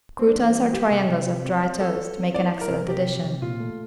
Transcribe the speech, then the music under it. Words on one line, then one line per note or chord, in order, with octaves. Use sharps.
Croutons or triangles of dry toast make an excellent addition.
A#3 C4
D4
E3 C4
G3
G3 G4
C3
C3
F4
C4
C4
F4 A4
F4
C4
E4 D5
E4
A#4
C3
C3 G4
F3
C3
A#2 F4
A3